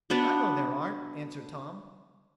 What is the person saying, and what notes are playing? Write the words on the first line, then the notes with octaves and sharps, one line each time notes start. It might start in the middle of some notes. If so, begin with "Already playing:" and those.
"I know there aren't," answered Tom.
B3 D4 F#4